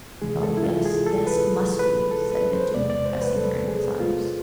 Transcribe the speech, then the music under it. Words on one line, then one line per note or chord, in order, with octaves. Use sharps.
"Oh, yes, yes, it must be!" said Mitya, pressing her in his arms.
D2 C3 E3 G#3 G#4
A4
E4
F4
G#4
A4
B4
B4
A4
B4
C5
E2 C3 G#3 B3 D5
D5
C5
B4
A4
G#4
F4